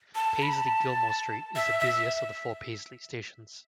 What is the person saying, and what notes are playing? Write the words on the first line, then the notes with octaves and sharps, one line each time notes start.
Paisley Gilmour Street is the busiest of the four Paisley stations.
A5
B5
A5
E5
E5